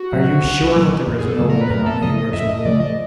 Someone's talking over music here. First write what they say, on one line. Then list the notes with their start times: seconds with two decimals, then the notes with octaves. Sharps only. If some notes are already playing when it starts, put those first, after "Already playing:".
"Are you sure that there is no one in our neighbor's room?"
Already playing: F#4
0.13 A#2 F#3
0.44 C2
0.76 A#2 F#3
1.07 F#2
1.19 G#4
1.28 A4
1.39 C#3 F3 A3
1.50 A#4
1.61 B4
1.70 F#2 A#4
1.86 A4
2.02 C#3 F3 A3 D#5
2.18 D#5
2.33 F#2 E5
2.49 D#5
2.65 C#3 F3 A3 D5
2.80 D#5